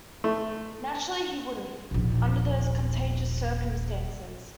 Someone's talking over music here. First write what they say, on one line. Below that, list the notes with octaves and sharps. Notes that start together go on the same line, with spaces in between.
Naturally he wouldn't, under those contagious circumstances.
A3
D#1 A#1